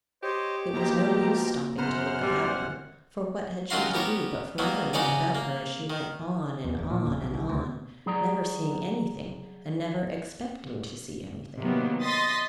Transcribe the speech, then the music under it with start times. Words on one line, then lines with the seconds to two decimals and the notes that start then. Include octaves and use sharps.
It was no use stopping to look about her, for what had she to do but forever look about her as she went on and on and on--never seeing any thing, and never expecting to see any thing!
0.23 G4 C5 C#5 D#5
0.73 B2 D#3 F3 A#3 F#4 A#5 B5
1.78 F#2 B3 C5 F#5 A#5 B5 F6
2.22 G3
3.70 F#2 D#3 D#4 F4 F#4 C6
3.94 B3 G4 A#4 C#5
4.58 B2 D#3 F#3 A#3
4.93 C#3 D#4 F#4 C#5 D5 G#5
5.35 A#3
5.90 D#3
6.64 E2
6.79 E1
6.90 A#2
7.06 E1
7.22 B1
7.34 C2
7.49 D2
8.06 F#3 G#4 D5 A#5
11.60 C3 D#3 F#3 A#3 B3
12.03 D#5 C6 D#6 A6 B6